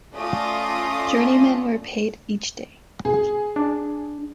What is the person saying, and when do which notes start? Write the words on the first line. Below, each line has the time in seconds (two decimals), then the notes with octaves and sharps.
Journeymen were paid each day.
0.15 A3 C#4 F4 D5 D#6 A#6
3.05 G#4
3.56 D4